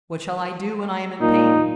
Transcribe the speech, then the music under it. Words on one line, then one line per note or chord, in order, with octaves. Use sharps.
What shall I do when I am in pain?
A#2 D#4